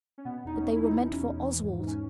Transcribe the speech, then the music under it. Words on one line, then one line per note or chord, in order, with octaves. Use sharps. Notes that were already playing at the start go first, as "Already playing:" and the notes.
But they were meant for Oswald.
C#4
B2 B3
E2 D#4
C#4
E2
E4
B2 D#4
B2
C#4
E2
E3
G#2
G#2
C#4